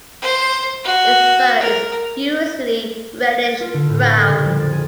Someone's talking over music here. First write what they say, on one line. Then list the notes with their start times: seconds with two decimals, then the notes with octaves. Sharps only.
Its fur is usually reddish brown.
0.22 C5
0.85 F#4
1.60 A#4
3.44 A6
3.60 F4
3.74 D3
3.89 A2
4.01 B5
4.16 A#2
4.28 C#3
4.44 F2
4.60 A6
4.72 G#4